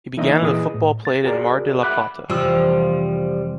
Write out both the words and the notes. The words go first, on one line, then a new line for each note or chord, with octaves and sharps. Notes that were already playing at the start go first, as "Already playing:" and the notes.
He began in the football played in Mar de la Plata.
E3 A#3 C#4 D#4 D#5 E5
A#2 E3 G#4 B4 D#5 D#6
A2
A6
F#4 G#4 A#4 D5
E5 F#5 B5 D6 F#6
F1 E3 F3 G3 C6 E6